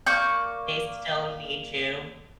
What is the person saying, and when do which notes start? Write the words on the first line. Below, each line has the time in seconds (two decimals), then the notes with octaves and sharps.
They still need you.
0.06 A#3 D5 C#6 G6